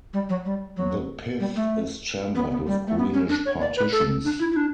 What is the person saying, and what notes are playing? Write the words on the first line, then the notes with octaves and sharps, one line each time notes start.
The pith is chambered with greenish partitions.
G3
F#3
G3
F#3
G3
A3
B3
B3
G3
A3
B3
C#4
D4
C#5
D5
B4
A4
D4
E4
E4
D4